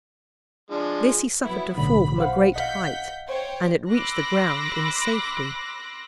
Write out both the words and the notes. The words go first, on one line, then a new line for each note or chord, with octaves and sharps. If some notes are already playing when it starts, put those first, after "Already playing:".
This he suffered to fall from a great height, and it reached the ground in safety.
F3 G#3 D4
F#3 B3 E4
B1 A2 D3 B5
C5 F5 F#5
D#5 F5 F#5 G6 B6
C5 C#5 G5
B5 C6 D6 E6 F#6 A#6